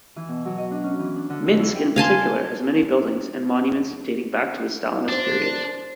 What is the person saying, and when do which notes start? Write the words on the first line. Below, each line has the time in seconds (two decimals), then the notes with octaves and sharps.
Minsk in particular has many buildings and monuments dating back to the Stalinist period.
0.16 E3
0.29 B2
0.45 F#3
0.58 D#5
0.71 D4
0.83 C#4
0.99 E3
1.15 D4
1.30 D3
1.46 F2
1.60 E4
1.74 G5
1.96 F5 G#5 A5 C6
5.08 D4 C5 A6